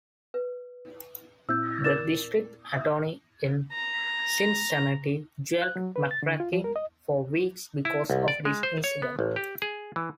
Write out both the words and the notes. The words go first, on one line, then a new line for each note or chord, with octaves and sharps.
The district attorney in Cincinnati jailed McCrackin for weeks because of this incident.
B4
A#2 C4 E4 E6 G6
A#4 D5 D6 E6 A6 E7
E5
A#5
F#6
F#3
B4
A6
D3
F4
F3
A#4
D#5
E4
C2
D5
G#3
C5
C#5
B3
A1
G4
G#4
E3